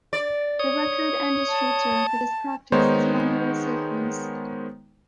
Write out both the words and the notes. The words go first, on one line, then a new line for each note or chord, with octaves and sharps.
The record industry term for this practice is manual sequence.
D5
C#5 D#6
A5
D#3 G#3 B3 D#4 C5 C#5